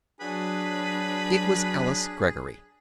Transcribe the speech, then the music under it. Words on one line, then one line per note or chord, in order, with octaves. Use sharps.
It was Alice Greggory.
F#3 D4 G#4 B4